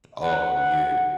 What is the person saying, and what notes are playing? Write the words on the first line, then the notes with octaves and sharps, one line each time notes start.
Oh yeah.
F#5